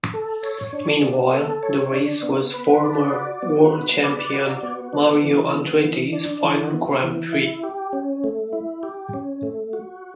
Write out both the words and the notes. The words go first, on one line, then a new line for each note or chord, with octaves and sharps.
Meanwhile, the race was former world champion Mario Andretti's final grand prix.
A4
C#5
D4
B3
A4
C#5
D4
B3
B4
D5
F#4
B3
B4
D5
F#4
B3
D4
E3
B3
E3
D4
E3
B3
E3
E4
G4
C#4
A3
E4
G4
C#4
A3
F#4